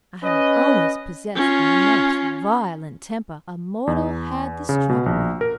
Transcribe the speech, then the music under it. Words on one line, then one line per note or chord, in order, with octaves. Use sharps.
I have always possessed the most violent temper a mortal had to struggle with.
C#4 B4 D#5
C#4 F4
E2
C#3
B2
A#1
A#4